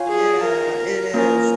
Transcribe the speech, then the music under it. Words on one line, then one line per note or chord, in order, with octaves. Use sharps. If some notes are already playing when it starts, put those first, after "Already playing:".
Yeah, it is.
Already playing: F4 C#5 F5 G#5
G#4
A#4
A#3 C#4 F4 A#4 C#5 G#5